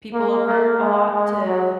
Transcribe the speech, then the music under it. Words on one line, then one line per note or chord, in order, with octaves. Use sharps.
people over a lot to
A#3
A#3
G#3
G#3
F#3